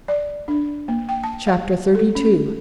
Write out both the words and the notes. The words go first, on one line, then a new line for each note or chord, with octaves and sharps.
Chapter XXXII.
D5
D4
A#3
G5
A5
F5
A4
C#4